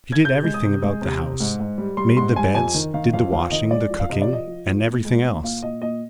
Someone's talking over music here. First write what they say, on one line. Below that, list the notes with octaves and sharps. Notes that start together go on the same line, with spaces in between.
She did everything about the house,--made the beds, did the washing, the cooking, and everything else.
G#6
C3 G6
G#3
D#6
C3
G#3
C3
C3
G#2
G#2
G3
G3 C6
G#2 C6
G3 G#5
F2 G#5
D#3
D#3 F5
F2 F5
F2 F5
D#3 D#5
G#3 D5
F3
F5
C3 D#5
D5
F3 D#5
F3
F3
A#2
G#3
A#2
A#2 F5
A#2 D#5
A#2 D#5